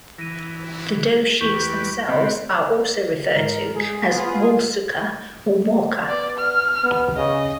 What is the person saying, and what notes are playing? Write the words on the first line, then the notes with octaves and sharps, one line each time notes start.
The dough sheets themselves, are also referred to as walsouka or warka.
E3 A#6 D#7
E2 G4 B4 C#6
B3 C4 D#5
G#2 A#4
G#3 G#4
B3 F4 G#4
B3 D5
F6
B3
C#3 D#5